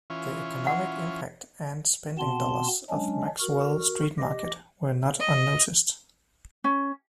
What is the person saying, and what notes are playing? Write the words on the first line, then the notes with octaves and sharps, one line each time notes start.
The economic impact and spending dollars of Maxwell Street Market were not unnoticed.
E3 C#4 F4
F#5
B2 B3 C4 A5 C6
F#3 G#3 C#4 D4
F#4 A#4
G4 D#5
D#5
C#4